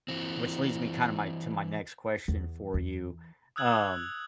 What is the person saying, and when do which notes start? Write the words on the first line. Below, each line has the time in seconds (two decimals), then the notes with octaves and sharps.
which leads me kinda my to my next question for you, um
0.08 E3 C4
2.28 E2
2.74 E2
3.56 D#6 E6 F#6 G#6 F#7